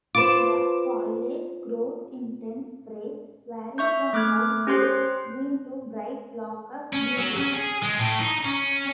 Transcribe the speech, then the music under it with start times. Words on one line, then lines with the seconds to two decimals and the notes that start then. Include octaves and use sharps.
The foliage grows in dense sprays, varying from dull gray-green to bright glaucous blue-green.
0.15 F4 B4 C5 D6 E7
3.78 E5 C#6 G6
4.13 A3 D6 F6 F#6 G#6
4.67 C#4 G4 C5 C6 F#6 C7
6.93 C#4
7.17 F#3
7.37 C#4
7.53 G#4
7.83 G#3
7.98 A2
8.20 D#4
8.45 C#4